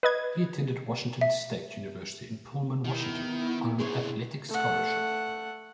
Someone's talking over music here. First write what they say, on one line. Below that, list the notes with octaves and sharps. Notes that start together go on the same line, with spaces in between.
He attended Washington State University in Pullman, Washington, on an athletic scholarship.
B4 D#5 G#6
E5
D#3 B3 E4
C3 E3 G#4 C5 C#5
A3 F#5